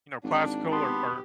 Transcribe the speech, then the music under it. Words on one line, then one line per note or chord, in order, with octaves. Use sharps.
you know, classical or or
G#1 D4
B3 G4 A5 B5 C6